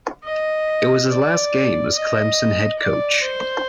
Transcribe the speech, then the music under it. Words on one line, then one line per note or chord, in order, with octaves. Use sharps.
It was his last game as Clemson head coach.
D#5
D5
D#5
D5
C5